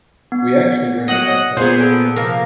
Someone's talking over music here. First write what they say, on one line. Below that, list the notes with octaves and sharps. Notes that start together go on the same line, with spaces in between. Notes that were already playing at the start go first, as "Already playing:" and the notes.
We actually wrote it by post.
B3
F#3 D#5 F#5 F#6
A#2 B3 G#4 C5 G6
A4
C3 F3 A#3